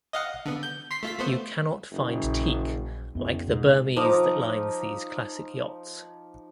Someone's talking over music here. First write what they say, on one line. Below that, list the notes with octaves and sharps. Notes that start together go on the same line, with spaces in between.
You cannot find teak like the Burmese that lines these classic yachts.
D#5 F5 F#5
D3 B3
G6
C6 B6 C7
A3 F4 B6
A3 B3 C5
F#1
A#1
F#1 F2 B3
G#2 B2
F3 D#4 A#5 D6